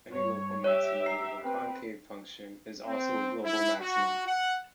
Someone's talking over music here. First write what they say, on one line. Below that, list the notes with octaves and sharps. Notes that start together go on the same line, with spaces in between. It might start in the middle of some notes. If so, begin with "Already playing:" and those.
Any local maximum of a concave function is also a global maximum.
G2 C#5
G4 C#5 E5
A#5 C7
C4 B4 G5
C4
E4
F#4
F#5